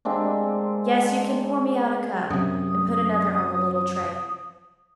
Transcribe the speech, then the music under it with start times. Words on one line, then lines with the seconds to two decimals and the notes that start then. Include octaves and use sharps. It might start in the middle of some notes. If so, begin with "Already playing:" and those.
Yes, you can pour me out a cup--and put another on the little tray.
0.05 G#3 A#3 C4 D4
2.30 F#2 C3 D#6